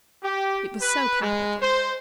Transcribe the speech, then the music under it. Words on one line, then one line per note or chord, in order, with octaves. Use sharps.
It was so capital!
G4
B4
G#3
C5